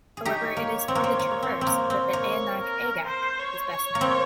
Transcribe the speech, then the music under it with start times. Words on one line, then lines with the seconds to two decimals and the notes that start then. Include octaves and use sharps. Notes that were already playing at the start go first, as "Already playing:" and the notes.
However it is for the traverse that the Aonach Eagach is best known.
0.17 G#4
0.25 D#4 G4 C#5
0.57 A#3
0.88 C4
0.95 A#3
1.04 C4
1.19 A#3
1.43 C4
1.61 C4
1.67 A#3
1.90 C4
2.13 A#3 C#5
2.61 A#4
3.07 C5
3.39 C#5
3.70 C#5
3.95 A#3
4.01 C4